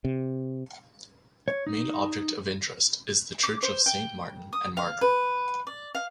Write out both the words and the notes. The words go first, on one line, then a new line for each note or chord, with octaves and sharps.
Main object of interest is the Church of Saint Martin and Margaret.
C3
C#5
D#4
D6
C5
G5
D#6
F5
B4
D5
F5